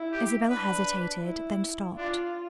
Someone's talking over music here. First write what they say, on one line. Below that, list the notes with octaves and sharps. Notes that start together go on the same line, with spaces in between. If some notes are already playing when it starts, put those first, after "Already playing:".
Isabel hesitated, then stopped.
Already playing: E4
G4
D4 B4
E4
D4 F4